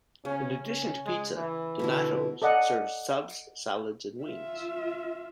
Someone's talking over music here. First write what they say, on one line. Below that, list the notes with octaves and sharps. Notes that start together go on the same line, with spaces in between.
In addition to pizza, Donatos serves subs, salads, and wings.
C#3 C#4
C#4
G#3
E3
B2 D3 E4
A4 D5 D#5 F#5 A5
F4 E5